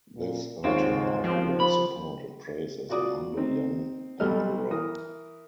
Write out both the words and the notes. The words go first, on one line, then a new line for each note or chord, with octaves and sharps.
This earned him popular support and praise as a humble young emperor.
A#2
D#2 G#2 C4 F4 C#5
F3 C4
C5 B5
F4 F#4 D5 D6 D#6
C4 D#4
B1 B2 G3 A4 D#5 F6
E3 A#4 D#6